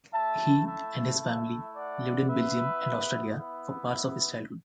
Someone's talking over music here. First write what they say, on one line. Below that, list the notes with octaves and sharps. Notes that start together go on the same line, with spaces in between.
He and his family lived in Belgium and Australia for parts of his childhood.
A3 E4 E5 A5
E5 A5
E5 A5
D5 F#5
B3 E4 B4 E5
B4 E5